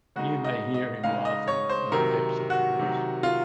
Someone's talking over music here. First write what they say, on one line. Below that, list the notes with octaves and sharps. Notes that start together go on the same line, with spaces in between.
You may hear him laughing in the depths of the woods.
C#3 G#3 D#4 F#4
D#5
D#5
C#3 G#3 D#4 F5
D#5
C#5
C5
C3 D#3 F#3 A#4
F#4
C3 D#3 F#3
F4